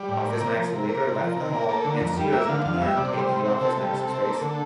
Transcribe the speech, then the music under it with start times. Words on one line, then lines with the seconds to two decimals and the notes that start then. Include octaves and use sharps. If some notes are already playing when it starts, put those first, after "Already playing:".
OfficeMax later left the mall, and Sears returned taking the OfficeMax space.
Already playing: G3 D5
0.08 A2
0.25 A#3
0.40 C3 A#4
0.57 F3
0.72 C3
0.89 A#3
1.04 C3
1.21 F3
1.36 C3
1.53 A#3
1.68 A#3 A4
1.85 D3
1.90 A#4
2.00 F2
2.17 G3
2.32 A#3 E5
2.49 D3 F5
2.65 F2 F5
2.81 G3 E5
2.97 C3 D5
3.13 G3
3.19 C5
3.29 C3
3.45 C4
3.61 C3 A4
3.77 G3
3.93 C3
4.09 C4
4.25 A#3
4.41 D3